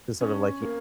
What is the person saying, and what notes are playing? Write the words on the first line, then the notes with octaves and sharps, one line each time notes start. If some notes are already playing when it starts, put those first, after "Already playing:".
to sort of, like, you
C#4
A#3